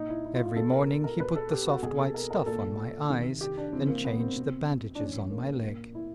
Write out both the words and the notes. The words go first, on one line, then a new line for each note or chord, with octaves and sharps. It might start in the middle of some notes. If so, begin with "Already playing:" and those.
Every morning he put the soft white stuff on my eyes, and changed the bandages on my leg.
Already playing: A#2 D#4
E4
E4
F4
F4
B2 A4
A#4
A#4
B2 B4
A4
G4
F#4
B2 G#4
A4
A#4
A#4
A#2 A4
C3 D#3
G4
D4
C3 E3 C4
A#3
B3
C4
B2
D4
A2 E3 C#4
A#3
A#2
E4